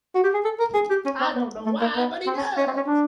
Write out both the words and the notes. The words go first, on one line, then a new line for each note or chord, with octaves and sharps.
I don't know why, but he does.
F#4
G4
G#4
A4
A#4
G#4
G4
C#4
C4
B3
A3
A#3
B3
C4
C#4
C#4
C4
C#4
D4